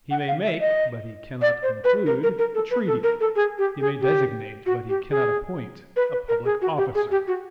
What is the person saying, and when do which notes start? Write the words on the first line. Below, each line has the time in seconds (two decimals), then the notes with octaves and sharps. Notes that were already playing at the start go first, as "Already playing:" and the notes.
He may make, but he cannot conclude, a treaty; he may designate, but he cannot appoint, a public officer.
0.11 F#5
0.28 F5
0.44 E5
0.61 D#5
1.42 D5
1.63 C5
1.84 B4
2.06 A#4
2.23 A#4
2.38 A#4
2.55 A4
2.71 B4
2.87 A4
3.03 A#4
3.21 A4
3.36 G#4
3.58 G4
3.80 G#4
4.01 G4
4.66 F#4
4.89 G4
5.11 G#4
5.96 B4
6.12 B4
6.29 A#4
6.45 G#4
6.62 F#4
6.77 G4
6.95 G#4
7.11 G4
7.27 F#4